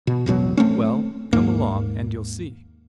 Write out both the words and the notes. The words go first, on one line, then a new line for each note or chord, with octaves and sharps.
"Well, come along and you'll see!"
B2
E1 A1 B2 F#3
A3 C4 C#4
D#2 G#2 A#3